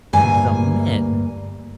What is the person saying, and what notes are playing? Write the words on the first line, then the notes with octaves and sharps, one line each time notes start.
And the men!
D2 G2 A#3 G#5